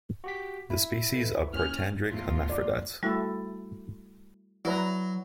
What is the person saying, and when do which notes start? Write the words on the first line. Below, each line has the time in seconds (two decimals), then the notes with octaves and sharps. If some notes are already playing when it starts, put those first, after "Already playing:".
The species are protandric hermaphrodites.
0.24 F#4 G4 B6
0.70 E4
1.14 A4 B4 B6
1.53 A#3 C#4 F6 G6 F#7
2.09 E2 A2 F4
2.49 D5 D6
3.03 G3 A3 E4 F#4 A4
4.65 F#3 E4 B4 D5 A#5